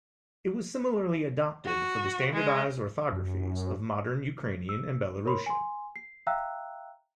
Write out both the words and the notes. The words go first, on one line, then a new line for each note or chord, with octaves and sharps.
It was similarly adopted for the standardised orthographies of modern Ukrainian and Belarusian.
F#4
G#3
F#2
E6
A#4 C#5 B5 C6
G#5 C6
C7
E5 F5 G5 A#5 E6 F#6